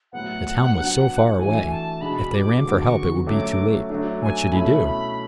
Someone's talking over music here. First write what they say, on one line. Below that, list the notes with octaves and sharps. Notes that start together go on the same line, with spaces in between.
The town was so far away--if they ran for help it would be too late; what should he do?
A2 F#3 B3 F#5
F#3 B3 D4 F#4
E3 A3 D4 F#4 G#5
A5
B2 G#3 D4 F#4 B5
D6
D3 G#3 B3 F#4 D6
C#6
F#3 A3 C#4 F#4 D6
F#3 A3 D4
G#5
B2 A3 C#4 E4 B5
B5